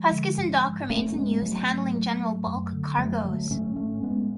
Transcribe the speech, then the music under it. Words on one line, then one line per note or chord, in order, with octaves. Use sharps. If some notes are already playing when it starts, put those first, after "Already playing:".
Huskisson Dock remains in use, handling general bulk cargoes.
Already playing: F3 G#3
D3
G#2
G#2 A3 C#4
G#3 B3
G#2 F#3 A3
G#2
F#2
D3
F#2 F#3 A3
D3 F#3 A3
G#2 A3 C#4
A3 C#4
G#2 G#3 B3